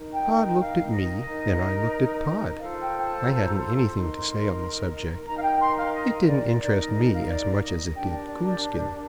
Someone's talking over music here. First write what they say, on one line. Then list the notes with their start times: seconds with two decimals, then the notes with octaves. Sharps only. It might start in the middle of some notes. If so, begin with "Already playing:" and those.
Pod looked at me and I looked at Pod; I hadn't anything to say on the subject; it didn't interest me as much as it did Coonskin.
Already playing: D#4 A#4
0.14 G5
0.37 G5
0.59 F5
0.92 D#5
1.26 D#4 A#4
2.59 F4 A4 C5 F5
2.82 G5
3.04 A5
3.26 A#5
3.35 A5
3.44 A#5
3.60 C6
3.93 D#4 A#4
5.27 D#4 A#4 A#5
5.38 F5
5.43 G5
5.60 C6
5.78 F5
5.94 D#5
6.28 D5
6.60 D#4 A#4 D5
6.78 D#5
6.95 D#5
7.11 F5
7.28 D5
7.61 D#5
7.94 D4 G4 A#4 G5
8.11 D5
8.27 D5
8.45 D5